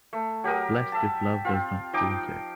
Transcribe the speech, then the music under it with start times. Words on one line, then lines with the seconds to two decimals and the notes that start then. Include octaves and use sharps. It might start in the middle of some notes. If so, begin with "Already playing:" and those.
Blessed, if love does not thwart it.
0.13 A3
0.44 F#3 G4 A#4 D#6
0.92 E5 A5
1.45 C4 F4
1.93 F3 D#4 G5 D6